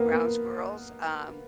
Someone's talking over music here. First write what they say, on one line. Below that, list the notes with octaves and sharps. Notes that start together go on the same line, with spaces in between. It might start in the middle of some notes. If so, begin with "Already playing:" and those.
Ground squirrels, um,
Already playing: A#3 B3
A#3